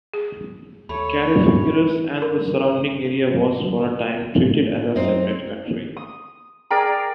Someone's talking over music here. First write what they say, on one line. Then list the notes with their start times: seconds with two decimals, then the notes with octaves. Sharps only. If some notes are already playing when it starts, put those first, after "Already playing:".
Carrickfergus and the surrounding area was, for a time, treated as a separate county.
0.14 G#4
0.89 D#2 A3 C#5 B5
2.22 A#4
4.40 A2
4.96 F#2 C4 D#4
5.97 D#6
6.71 G#4 A#4 D5 G5 A#5